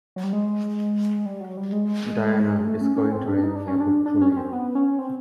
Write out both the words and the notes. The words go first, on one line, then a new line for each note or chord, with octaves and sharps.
Diana is going to lend me a book to read.
F#3
G3
G#3
G3
F#3
G3
G#3
A3
C#4
C#4
C4
D4
D#4
D4
C#4
D4
D4
C#4
C#4
C4
B3
C#4
C4